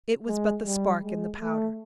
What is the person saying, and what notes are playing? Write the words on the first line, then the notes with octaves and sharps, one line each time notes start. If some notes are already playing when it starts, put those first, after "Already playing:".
It was but the spark in the powder.
G#3
G3
G#3
A3